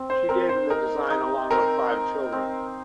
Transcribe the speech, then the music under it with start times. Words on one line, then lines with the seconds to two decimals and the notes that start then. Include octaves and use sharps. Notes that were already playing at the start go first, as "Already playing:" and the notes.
She gave him the design, along with five children.
Already playing: C4
0.10 C5
0.29 C4 A#4
0.49 C5
0.70 D#4 A#4
1.10 D#4
1.51 C4 A#4
1.91 D#4
2.32 C4